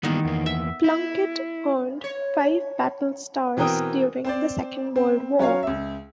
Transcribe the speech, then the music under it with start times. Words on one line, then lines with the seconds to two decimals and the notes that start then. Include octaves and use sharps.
"Plunkett" earned five battle stars during the Second World War.
0.03 D#3 E3 G3 A#3 B3
0.25 E2 A#3
0.46 E5
0.84 E4
2.04 C#5
3.57 B2 E3 C4 A#4 G5 D#6
4.25 C4 C5 D5
4.96 C4
5.39 F#3 C#4 C#5 F5
5.63 C#2 E5